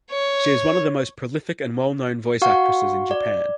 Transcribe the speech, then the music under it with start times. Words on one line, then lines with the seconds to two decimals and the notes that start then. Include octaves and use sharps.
She is one of the most prolific and well-known voice actresses in Japan.
0.11 C#5
2.42 F#4 F5 F#5 C#6
3.11 D5